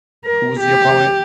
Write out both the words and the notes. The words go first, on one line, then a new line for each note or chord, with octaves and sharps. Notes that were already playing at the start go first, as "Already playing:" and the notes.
who was the opponent?
A#4
G4